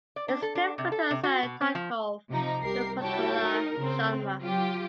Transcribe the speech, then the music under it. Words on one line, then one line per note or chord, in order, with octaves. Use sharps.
It’s difficult to assign Talkov to a particular genre.
D5
D4
A4
D4
C3
A4
C3
F#4
B2
C4
F3
C3 F3 D#4 A#5
C2 G4 A#4 C7
E4 F#4 G4 C#5 G5 A5
D#4 A#4
C#3 C4
F#3 F4 G4 G5